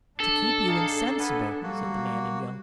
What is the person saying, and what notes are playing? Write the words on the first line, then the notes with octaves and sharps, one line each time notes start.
"To keep you insensible," said the man in yellow.
D4 A4
D#4 G#4 F5
B3 B4 G#5
F#3 G3 A#3 F#4